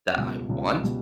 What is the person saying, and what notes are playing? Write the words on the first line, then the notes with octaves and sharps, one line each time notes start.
that I want
C#2 B2 G3
C#2 B2 G3
B2 G3